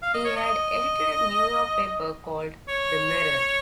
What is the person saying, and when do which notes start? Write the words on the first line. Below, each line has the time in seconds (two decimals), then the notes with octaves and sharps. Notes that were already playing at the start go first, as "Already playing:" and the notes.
He had edited a New York paper called "The Mirror".
0.02 F5
0.14 D#5
0.25 C#5
0.36 D#5
2.69 C#5